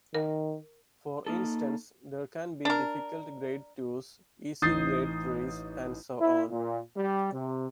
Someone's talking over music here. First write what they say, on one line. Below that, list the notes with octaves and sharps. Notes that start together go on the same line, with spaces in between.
For instance, there can be difficult grade twos, easy grade threes, and so on.
D#3 A#4
A#3 D#4 A4
D4 A#4
A1 D#4 D#6 G6 A6 C7
E4
A#2
G3
C3